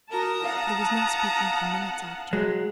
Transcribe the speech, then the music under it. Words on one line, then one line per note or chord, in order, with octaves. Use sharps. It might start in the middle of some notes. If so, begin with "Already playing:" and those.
There was no speaking for minutes after.
F#4 A#4 A5 A#5 D#6
F5 F#5
F#3 G#3